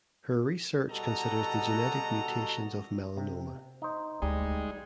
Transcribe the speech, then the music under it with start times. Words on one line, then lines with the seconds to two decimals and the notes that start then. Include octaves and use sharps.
Her research considers the genetic mutations of melanoma.
0.90 B2 G3 F#4 A4 D#5 A#5
3.17 C3
3.82 D#4 C5
4.22 D2 G3 G#3 D#4